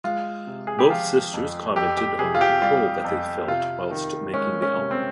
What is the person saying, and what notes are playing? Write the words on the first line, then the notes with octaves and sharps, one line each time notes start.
Both sisters commented on the control that they felt whilst making the album.
G#3 F4
C3
G#4
G4
F3 F4
F2
F2 G4
G4
C3 G#4
F4
G4
G3 F4
F2
C3 F4
D#3
G#3 C#4
C#4
C3
C4